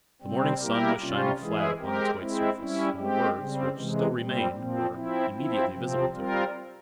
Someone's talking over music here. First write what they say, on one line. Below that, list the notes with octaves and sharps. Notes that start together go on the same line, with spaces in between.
The morning sun was shining flat upon its white surface, and the words, which still remained, were immediately visible to her.
C3 G3 C4
G3 A#3 E4 G4 A#4
C3 G3 C#4 F4
E3 G#3 E4 G#4
G#3 C4 G4 A#4
G#3 C4 E4
G3 C#4 E4
G#3 C4 G4
C#3 G3 C4
C3 E3 G#3
A#2 G3 C4
A#2 F3 C4
F3 C4 E4
F3 C4 E4
C3 F3 C4
G3 C4 F4 A#4